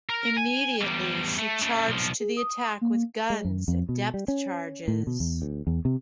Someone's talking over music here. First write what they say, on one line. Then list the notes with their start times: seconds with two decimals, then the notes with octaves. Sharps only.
Immediately, she charged to the attack with guns and depth charges.
0.09 A#4
0.37 G#5
0.81 E2 G3
1.39 A3
1.62 C#3 A3
1.88 B1 F3
2.20 G#4
2.37 D#6
2.81 A#3
3.30 G#3
3.45 F#2
3.68 F2
3.89 B2
4.14 G3
4.28 C#4
4.88 A2
5.07 B2
5.20 E2
5.42 D2
5.67 E2
5.85 C3